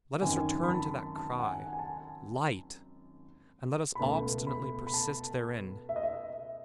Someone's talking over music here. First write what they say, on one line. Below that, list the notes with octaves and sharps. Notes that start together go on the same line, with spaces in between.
Let us return to that cry: Light! and let us obstinately persist therein!
G#1 F#2 D#3 G#5
B5
A5
A5
F#5
G#5
G#5
A5
B5
C#2 B2 A3 A5
B5
B5
A5
E5
D#5
E5